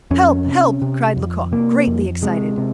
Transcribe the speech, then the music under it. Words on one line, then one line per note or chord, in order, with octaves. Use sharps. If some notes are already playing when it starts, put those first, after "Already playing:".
"Help! help!" cried Lecoq, greatly excited.
F2 C#4
C3
C3
F2
C3 A#3
F2
C3 G#3
C3